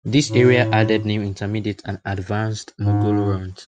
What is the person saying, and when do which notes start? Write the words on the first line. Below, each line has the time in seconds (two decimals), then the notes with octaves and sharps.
This area added new intermediate and advanced mogul runs.
0.24 A2
2.83 G#2